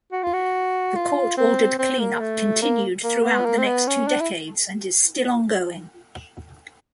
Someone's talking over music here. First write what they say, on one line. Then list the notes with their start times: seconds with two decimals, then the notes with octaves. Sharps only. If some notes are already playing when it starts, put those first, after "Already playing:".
The court ordered cleanup continued throughout the next two decades and is still ongoing.
0.12 F#4
0.23 F4
0.33 F#4
0.95 F4
1.37 C4
1.79 C4
1.99 A#3
2.20 A3
2.62 A#3
3.04 A#3
3.24 B3
3.45 A#3
3.58 C4
3.65 B3
3.87 C#4
4.07 D4
4.21 E4